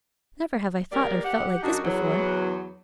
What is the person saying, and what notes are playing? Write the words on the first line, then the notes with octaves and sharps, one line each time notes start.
Never have I thought or felt like this before!
G3 G#3 A#3 G4 A#4 D5
G4 F#5
F#2 D4 D#4 F#4
E2 F#3